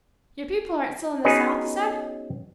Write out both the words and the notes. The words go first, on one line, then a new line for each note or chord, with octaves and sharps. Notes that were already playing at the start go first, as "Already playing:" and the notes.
"Your people aren't still in the South, you said?"
B3 C#4 D#4 F#4 G#4 B4